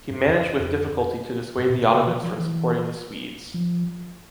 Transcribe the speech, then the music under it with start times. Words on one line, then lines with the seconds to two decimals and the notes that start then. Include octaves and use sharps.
He managed with difficulty to dissuade the Ottomans from supporting the Swedes.
0.10 G2
0.27 F2
0.59 F2
1.57 G2
1.70 A#2
1.82 C3
1.94 C3
2.07 E3
2.24 F3
2.39 E3
3.54 F3